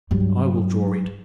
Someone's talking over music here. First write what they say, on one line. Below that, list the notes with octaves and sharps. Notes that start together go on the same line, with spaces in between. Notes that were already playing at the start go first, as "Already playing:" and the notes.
"I will draw it."
G2 F#3